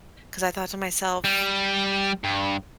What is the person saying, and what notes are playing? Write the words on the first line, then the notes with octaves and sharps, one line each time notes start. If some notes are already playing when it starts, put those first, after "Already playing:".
'cause I thought to myself,
G3
G2